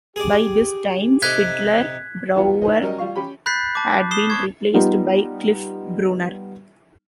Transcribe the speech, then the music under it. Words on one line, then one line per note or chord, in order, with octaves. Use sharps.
By this time, fiddler Brower had been replaced by Cliff Bruner.
G4 G#4 D5
C3 D#4 A4 F#6 G#6 B6
E3 F#3 B3 F4
D#4 E4 B4 C5 D#5
F#3 G3 C#4 A#4 D#5
G3 F4 F5 C#6
C#4 G4 G5 B5
B5 F#6 G6 A6 B6 C7
A5 D6
D#6 C7 E7 G7
C#6 G#6
G3 B3 D#4 F4 G4